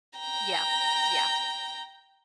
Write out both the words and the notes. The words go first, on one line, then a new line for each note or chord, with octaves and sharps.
Yeah, yeah.
G5 A#5